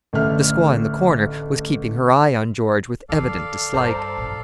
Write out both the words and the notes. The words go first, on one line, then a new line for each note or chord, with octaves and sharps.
The squaw in the corner was keeping her eye on George with evident dislike.
A1 D3 A3 E5 F6
D#3 E3 A4 D5 F5
G2 C5 A5 A#5
A1